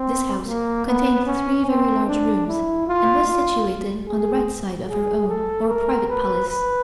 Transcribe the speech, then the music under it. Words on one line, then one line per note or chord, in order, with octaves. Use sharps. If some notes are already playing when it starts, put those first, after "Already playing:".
This house contained three very large rooms and was situated on the right side of her own or private Palace.
Already playing: C4
A#3
B3
C#4
C4
D4
E4
F4
F4
G#4
G#4
A4
A#4
B4
B4